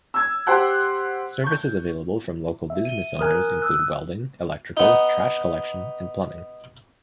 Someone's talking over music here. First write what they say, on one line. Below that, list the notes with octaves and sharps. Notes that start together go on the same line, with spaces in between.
Services available from local business owners include welding, electrical, trash collection, and plumbing.
E6 G#6
G4 C5 F#5 F#6
C#6 G6
E5
D#7 G7
E2 A#4 G#5 D#6 F6 F#6
D#6 E6 F#6
B3 D#4